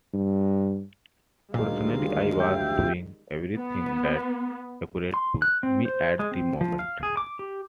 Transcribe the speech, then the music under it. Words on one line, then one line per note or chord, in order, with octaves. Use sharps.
Personally I was doing everything that occurred to me at the moment.
G2
D2 A#2 D#3 G3 G#3 F5
G4 E5 G5
B3
C6
F#6
C4
C5
G#3
C4
F3
F5
G#4
D6
G4